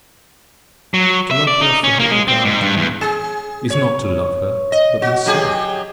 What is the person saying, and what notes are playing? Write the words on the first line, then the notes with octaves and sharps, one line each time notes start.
To love her for her regard to me, is not to love her, but myself.
F#3
E5
D5
D#4
C#4
A#3
G#3
C4
G#2
G2
E2
G#4
C#5
D#5
F#4
F#3 G4 G#4